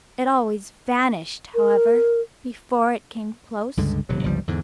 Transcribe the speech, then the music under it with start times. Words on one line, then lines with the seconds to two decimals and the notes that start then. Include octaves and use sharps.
It always vanished, however, before it came close.
1.55 A#4
3.77 C#2 G2 D3 G#3
4.09 D#1 C3 F#3
4.23 G1 C#2 F3 G3
4.47 E2 G#2 D3